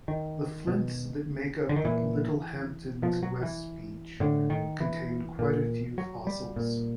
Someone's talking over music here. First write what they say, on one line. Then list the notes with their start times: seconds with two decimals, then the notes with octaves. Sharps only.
The flints that make up Littlehampton's West Beach contain quite a few fossils.
0.08 D#3
0.67 B2
1.69 D3
1.76 D#3
1.85 A#2 E3
3.02 B2 F3
3.23 F#3
3.42 E3
4.20 A2 D3
4.50 D#3
4.80 E3
5.39 A#2
5.98 F#3
6.27 G3
6.56 A#2